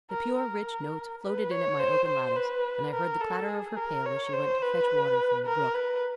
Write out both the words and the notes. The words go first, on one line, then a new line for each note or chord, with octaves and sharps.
The pure, rich notes floated in at my open lattice, and I heard the clatter of her pail as she went to fetch water from the brook.
A#4
A#4
B4
C#5
C5
C5
B4
A#4
A4
G#4
A#4
C#5
C5
B4
A#4
B4